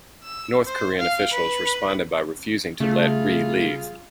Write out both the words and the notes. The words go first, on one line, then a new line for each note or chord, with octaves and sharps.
North Korean officials responded by refusing to let Ri leave.
E6
C5
F5
B4
C#3 G3 A3 F4 G#4